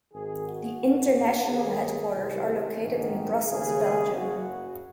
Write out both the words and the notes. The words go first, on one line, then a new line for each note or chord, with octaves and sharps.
The international headquarters are located in Brussels, Belgium.
G#1 G#2 D#3 G#4
F#4
G#1 G#2 D#3
F#4
D#2 D#3 G#4
C2 C3 D#3
A#1 G#2 D#3
D#2 C#3 G#4
F#1 F#2 C#3 F#4